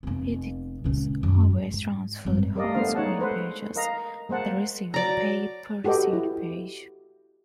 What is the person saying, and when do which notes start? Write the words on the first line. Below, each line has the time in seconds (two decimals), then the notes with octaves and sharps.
Btx always transferred whole screen pages; the receiver paid per received page.
0.03 F1 B3
0.84 C#2 A#2
1.21 F#2 D#3
1.50 G#2
2.25 G#1 G2
2.55 G3 A#4 D5 D#5 F5
2.74 A3 B3 D4 C5 F5
2.95 G#3 D#4 C#5 F#5 A5
3.19 A4 B4 C5 F#5
3.76 A#4 D#5 F5 A#5
4.29 G#3 A#3 C5 F#5 A5
4.94 F#3 D5 A#5
5.84 F#4 G4 A4 B4 D#5
6.13 E4